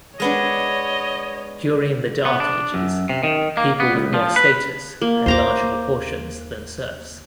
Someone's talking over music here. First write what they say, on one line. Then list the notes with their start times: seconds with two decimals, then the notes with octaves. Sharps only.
During the Dark Ages, people with more status had larger proportions than serfs.
0.20 G#3 B3 D4 C#5 D#5
2.25 B3
2.40 D4
2.74 F#2
3.09 C3
3.24 D#3
3.57 A#3
3.80 B3
3.94 C#2
4.14 F3
4.36 B4
5.02 A#3
5.26 D#2 C5 A#5 D6